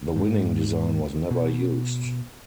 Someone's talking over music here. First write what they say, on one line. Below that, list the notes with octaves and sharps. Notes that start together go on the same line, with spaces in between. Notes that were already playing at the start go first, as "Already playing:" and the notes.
The winning design was never used.
G#2
B2